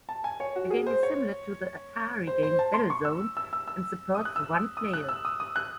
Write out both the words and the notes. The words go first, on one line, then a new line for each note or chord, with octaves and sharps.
The game is similar to the Atari game "Battlezone", and supports one player.
A5
G#5
C#5
F#4
G#4
C5
C#5
C5
C5
A5
C6
C#6
E6
E6
E6
E6
D#6
F#6
E6
D#6
F#6
E6
D#6
D#6
F#6